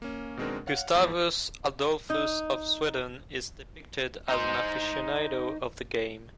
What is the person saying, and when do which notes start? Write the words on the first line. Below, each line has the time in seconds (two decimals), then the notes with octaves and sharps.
Gustavus Adolphus of Sweden is depicted as an aficionado of the game.
0.02 A#3 C#4
0.37 B2 D#3 G#3 C4 D4 A#4
0.67 C#5 F5 F#5
0.95 E2 G#2 F3
2.10 D#4
4.29 D#4 C5